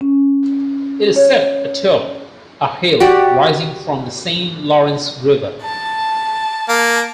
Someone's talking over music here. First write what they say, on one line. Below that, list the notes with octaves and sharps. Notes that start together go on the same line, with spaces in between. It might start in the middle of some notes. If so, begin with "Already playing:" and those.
It is set atop a hill rising from the Saint Lawrence River.
C#4
C#5
F#4 G4 D5
A5
A#3